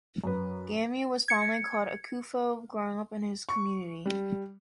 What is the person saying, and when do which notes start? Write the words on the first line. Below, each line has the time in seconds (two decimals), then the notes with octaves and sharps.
Gamey was fondly called Akufo growing up in his community.
0.24 F#2 B4
1.28 G#6 C#7
3.49 C#6
4.06 G3